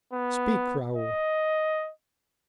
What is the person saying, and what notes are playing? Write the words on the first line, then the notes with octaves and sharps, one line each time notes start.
"Speak, Raoul."
B3
D#5